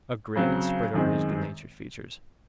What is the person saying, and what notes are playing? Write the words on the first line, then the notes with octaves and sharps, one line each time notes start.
A grin spread over his good-natured features.
C#3 F#3 C4
F#2 D#3 G#3 C4